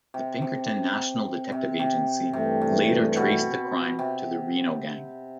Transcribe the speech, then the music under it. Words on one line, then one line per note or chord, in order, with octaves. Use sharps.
The Pinkerton National Detective Agency later traced the crime to the Reno Gang.
C3
C3
C3
C3
G2 C3 E3 A3
C3
B2
C3